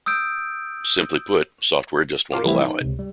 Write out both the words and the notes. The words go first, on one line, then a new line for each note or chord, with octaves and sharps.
Simply put, software just won't allow it.
D#6 E6 G6 D7
F4 A#4 C6 D6
E3 F3 G3 A3 C4 E4
D#4
C#2 C3
G3